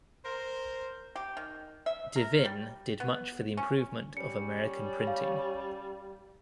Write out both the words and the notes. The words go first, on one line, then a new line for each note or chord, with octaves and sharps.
De Vinne did much for the improvement of American printing.
A#4 C5
G4
D#3
E5
A#4
G3
B3
C#4
G3 C#4 C#7
F5